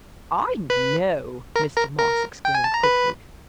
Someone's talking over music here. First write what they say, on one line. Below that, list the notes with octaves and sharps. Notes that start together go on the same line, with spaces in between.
"I know!" Mr. Moss exclaimed quickly.
B4 B5
A#4 A#5
A#4 A#5
A#4 A#5
G5
G#5
A5
A#5
B4 B5